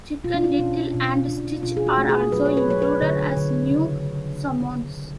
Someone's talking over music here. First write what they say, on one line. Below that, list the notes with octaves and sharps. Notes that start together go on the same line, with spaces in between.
Chicken Little and Stitch are also included as new summons.
B2 F4
D4
F4
B2 C#4
B2
B2 D4
B2 F4
G#4
F#4
A3
G#4
F#3 B4
C#5
B4
F#3 C#5
B4
D3 C#5
D3
C#3